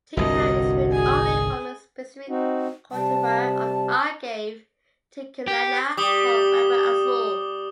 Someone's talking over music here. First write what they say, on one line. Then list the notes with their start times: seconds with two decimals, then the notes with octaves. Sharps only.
Tequila is made only from a specific cultivar of Agave tequilana called Weber Azul.
0.17 G1 C2 G2 F#4 D#5
0.91 G#4 G#5
2.29 C4 D#4 F#4
2.92 C3 G3 A5
5.48 G4
5.97 G3 D6 D#6 G7